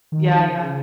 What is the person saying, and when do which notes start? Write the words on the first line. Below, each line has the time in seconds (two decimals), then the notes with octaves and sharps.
Yeah, yeah.
0.12 D#3
0.47 C#3